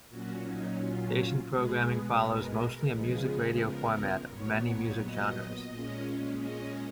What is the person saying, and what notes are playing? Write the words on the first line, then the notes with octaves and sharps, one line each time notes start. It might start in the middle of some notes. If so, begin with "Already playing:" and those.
Station programming follows mostly a music radio format of many music genres.
A#2 F#3 C#4 F#4
D#4
F4
B2 G#3 B3 G#4
A#4
A#4
C#3 F3 G#3 B3 G#4
G#4
A#4
A#2 F#3 B3 C#5
C#5
D#5
A#2 G#3 C#4
D#5